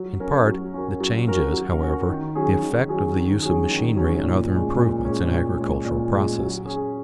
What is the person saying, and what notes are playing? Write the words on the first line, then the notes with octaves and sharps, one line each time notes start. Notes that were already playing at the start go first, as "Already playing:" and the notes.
In part the change is, however, the effect of the use of machinery and other improvements in agricultural processes.
Already playing: F#3
C#4 F#4 A#4
F#3
C#4 F#4 A#4
F#3
C#4 F#4 A#4
F#3
C#4 F#4 A#4
D#3
F#3 C#4 G#4
D#3
F#3 C#4 G#4
D#3
F#3 C#4 G#4
D#3
F#3 C#4 G#4
A#2
G#3 C#4
A#2
G#3 C#4
A#2
G#3 C#4
A#2
G#3 C#4
F#3
C#4 G#4